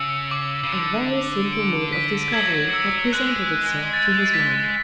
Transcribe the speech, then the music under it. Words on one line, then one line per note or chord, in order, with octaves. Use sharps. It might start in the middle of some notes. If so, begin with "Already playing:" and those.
A very simple mode of discovery had presented itself to his mind.
Already playing: C#3 E6
D6
C#3
D3 E6
D7
B6
F#3 G#6
E6
G#3 F#6
A6
A6
B6